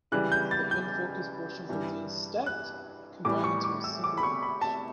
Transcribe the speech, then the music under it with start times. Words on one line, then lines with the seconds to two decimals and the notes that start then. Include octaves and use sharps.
The in-focus portions are then "stacked"; combined into a single image.
0.12 C#2 C#3 E3 G3 F#6
0.32 G6
0.51 A6
0.71 G6
1.69 G2 E3 G3
2.46 F#6
3.25 A2 E3 G3 D6
3.44 C#6
3.64 D6
3.84 E6
4.04 D6
4.18 B5
4.23 C#6
4.43 B5
4.61 A5